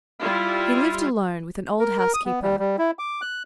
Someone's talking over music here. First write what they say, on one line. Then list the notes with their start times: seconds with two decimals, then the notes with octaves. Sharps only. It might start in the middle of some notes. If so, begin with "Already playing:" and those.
He lived alone with an old housekeeper.
0.22 G3 E4 F4
1.80 A#4
1.99 A#4
2.14 D#6
2.26 B3
2.42 G3
2.59 G3
2.78 E4
2.99 D6
3.21 F#6